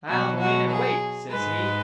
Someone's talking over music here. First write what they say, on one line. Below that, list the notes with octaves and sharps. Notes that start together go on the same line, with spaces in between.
'I'll go in and wait,' says he.
B2 F#3 F#4
F#4
G#4
G#2 G#3 B4